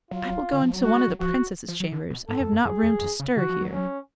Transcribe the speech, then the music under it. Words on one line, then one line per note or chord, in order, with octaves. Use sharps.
"I will go into one of the Princesses' chambers; I have not room to stir here."
F#3 F4
D3
F3
F#3
G#3 F#4
G#3
F#3
F3 F#4
F3
F#3
D3
B2
G#2 A4
F2
F#2
F#2 G#4
F2
F#2
C#3
D3 F#4
F3
F#3
C#4